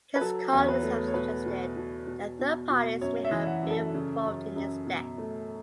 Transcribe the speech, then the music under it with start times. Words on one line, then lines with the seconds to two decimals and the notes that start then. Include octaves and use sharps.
His colleagues have suggested that third parties may have been involved in his death.
0.16 B4
0.21 F#3 A4
0.53 E2 C#5
0.68 B4
0.83 A3
1.08 C#5
1.14 B2 B4
1.46 B2
1.77 B2
2.07 B2
2.39 B2
2.70 B2
3.01 F#2 C#5
3.24 E5
3.31 E3
3.47 F#5
3.63 F#2
3.70 A4
3.94 C#3
4.26 F#2
4.56 F#2
4.87 B2
5.18 A3